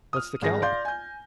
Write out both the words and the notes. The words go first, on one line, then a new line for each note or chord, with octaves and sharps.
"What's the calibre?"
D#6 F6
G#1 G#4 A#6
D5 F5 C6 G6
G#5 G6